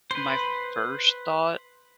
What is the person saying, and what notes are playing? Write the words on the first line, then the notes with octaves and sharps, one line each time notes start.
my first thought
B4 C5